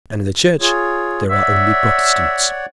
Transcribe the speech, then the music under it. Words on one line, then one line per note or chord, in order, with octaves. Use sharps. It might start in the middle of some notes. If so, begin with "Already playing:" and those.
And in the Church there are only Protestants.
F4 G#4 C#5
C#5 D5 E5 F#5